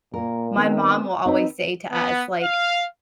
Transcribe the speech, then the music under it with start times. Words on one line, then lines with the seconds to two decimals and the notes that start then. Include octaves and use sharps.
my mom will always say to us, like
0.14 A#2 A#3 A#4
0.57 D#3 B3 C4
1.26 C4 D#4 B4
1.91 B3
2.42 F5